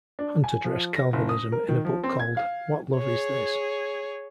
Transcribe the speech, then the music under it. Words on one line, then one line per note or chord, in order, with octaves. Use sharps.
Hunt addressed Calvinism in a book called What Love is This?
D4
G#5
F3
A#6
F#1
D#6
A#4
D#3
F3
C4
G#6
F5
G#4 C#5